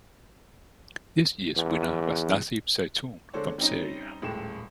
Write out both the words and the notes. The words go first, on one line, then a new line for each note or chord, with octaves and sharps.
This year's winner was Nassif Zaytoun from Syria.
E2
D3 G#3 D4 A4 C5 C#5
G3 C4 C#4 D#4
D#1 A2 G#3 G4 E7